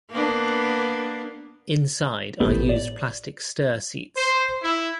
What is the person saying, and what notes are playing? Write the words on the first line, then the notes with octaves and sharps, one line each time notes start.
Inside are used plastic Ster seats.
A#3 B3 D4
A1 B3 D4 G4 A4
D5
C5
E4